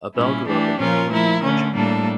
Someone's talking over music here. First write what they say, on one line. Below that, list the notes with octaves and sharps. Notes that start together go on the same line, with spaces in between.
Abell grew up in Maryland and Virginia.
A#2 G3 C#4 E4
E3 A3 D4 G4
A#2 F3 C#4 F4 A#4
F3 A3 E4 A#4
D3 A3 C#4
A2 G3 A#3 D4 A4